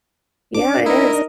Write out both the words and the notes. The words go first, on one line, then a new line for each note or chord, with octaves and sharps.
Yeah, it is.
D4 D6
D#4 E4 A#4 D#5